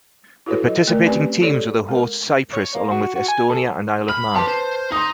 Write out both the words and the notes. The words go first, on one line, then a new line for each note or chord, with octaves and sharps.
The participating teams were the hosts Cyprus along with Estonia and Isle of Man.
E4 F#4 A4 B4 C#5
F#3 D#5
A3 A#4 D5
C4 C#4 G4 B4 D5 G#5
F4 G4 A4 C#5 D5
G#3 A#4
C#5
A#3
F#4
F#4
G#5
A4
B5 F6
G4 B4 A5 C6
C5
D#4 C6 D#6